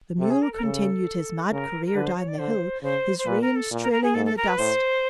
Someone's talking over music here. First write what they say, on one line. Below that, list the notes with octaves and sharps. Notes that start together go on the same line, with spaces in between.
The mule continued his mad career down the hill, his reins trailing in the dust.
C3 A4
G#4
A#4
A4
A#4
C#3 A4
C#3 A#4
A#4
D3 B4
C5
C#5
D5
D3 C5
C#3 C5
C5
A#2 B4
A#4
A4
A#2
A#4
A#4
G#4
G#2 A4
A4
A#4
B4
A2 C5